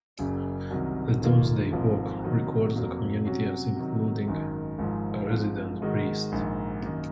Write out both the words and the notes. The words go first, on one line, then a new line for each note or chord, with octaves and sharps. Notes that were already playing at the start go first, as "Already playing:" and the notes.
The "Domesday Book" records the community as including a resident priest.
F#1 F#2 C#3
C2 C3 D#3 F#3
F1 D#2 D#3 A#3 F4
G#1 G#2 F3 C4
C3 D#3 F#3
F2 C3 F#3 A#3
C3 F#3 C#4 F#4
C3 D#3 F#3
G#1 F#2 D#3
G#1 G#2 F3
G#2 F3 C4
G#2 D#3 G#3 D#4 F#4
A#1 G#2 D#3
F#2 D#3 A#3